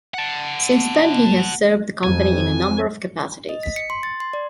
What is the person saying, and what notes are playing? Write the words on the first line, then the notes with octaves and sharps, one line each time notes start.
Since then he has served the company in a number of capacities.
F#5 A5
F2 G#5
D#5
B6
C#7
C6
A6
C6
D5